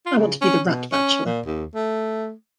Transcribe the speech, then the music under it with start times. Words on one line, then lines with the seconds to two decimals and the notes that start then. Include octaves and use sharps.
I want to be the rat bachelor.
0.06 F4
0.18 C#3
0.41 C#4
0.67 B2
0.92 C#4
1.26 A#2
1.46 D#2
1.75 A3